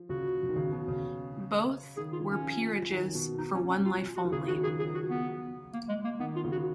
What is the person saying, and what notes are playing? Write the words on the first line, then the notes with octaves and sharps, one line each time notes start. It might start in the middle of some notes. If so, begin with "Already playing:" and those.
Both were peerages for one life only.
Already playing: F3
C#3 F#4
D#3
C#3
B2
C#3
D#3 G#4
F4
C#4
F3
D#3
B2
D#4
C#4
C#4
F4
F#4
D#3
C#3 G#4
D#3 F#4
F3 G#4
F#3 G#4
F#4
F#3
B3
A#3
G#3
A#3
D#3 B3
F4
C#3
F#4